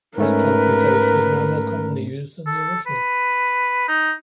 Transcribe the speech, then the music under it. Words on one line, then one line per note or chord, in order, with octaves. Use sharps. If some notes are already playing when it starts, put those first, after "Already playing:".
This transmutation is now more commonly used than the original.
G#2 A3 C#4 A#4 B4
A4
B4
D#4